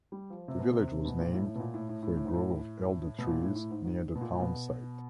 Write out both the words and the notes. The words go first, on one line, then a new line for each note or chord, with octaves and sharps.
The village was named for a grove of elder trees near the town site.
G3
F3
C3
B2
C3
B2
A#2
A2
A2
B2
A#2
A2
A2
A2
A2
G#2
A2
B2
A#2
A2
A2
G#2
G#2
B2
A#2
A#2
B2